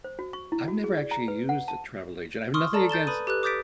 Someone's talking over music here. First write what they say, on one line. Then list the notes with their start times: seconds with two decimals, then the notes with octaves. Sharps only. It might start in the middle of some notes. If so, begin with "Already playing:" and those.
I've never actually used a travel agent. I have nothing against,
0.04 C5
0.19 F#4
0.33 C#6
0.52 E4
0.68 F#4
0.84 G#4
0.97 D5
1.11 A#5
1.28 B4
1.49 F#5
1.68 A5
2.54 C6 C#6 D#6 F6
2.73 A4 D5 A5 A#5
2.89 G6 A6 E7 G7
3.07 B4 B5 D#6 D#7
3.27 G4 A4 B4 F#6
3.43 D6 D#6 G6 A6 B6 D7